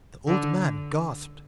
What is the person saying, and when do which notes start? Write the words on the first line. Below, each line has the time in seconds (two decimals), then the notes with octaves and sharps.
The old man gasped.
0.27 D3